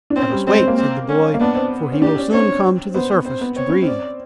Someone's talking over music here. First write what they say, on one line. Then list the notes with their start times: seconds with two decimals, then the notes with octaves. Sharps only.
"Let us wait," said the boy, "for he will soon come to the surface to breathe."
0.10 D4
0.16 C4 C#4
0.32 G3
0.47 G#3 C4
0.58 C4
0.68 A#3
0.78 C4
1.09 C#4
1.34 A#3
1.40 B3 D4
1.55 C4
1.92 C#4
2.02 D4 G4
2.17 C#4
2.33 C4 C#5
2.94 B3 C5
3.09 C4
3.25 C4 C5
3.41 B3
3.56 C4 C#5
3.69 C#4
3.83 C4 D5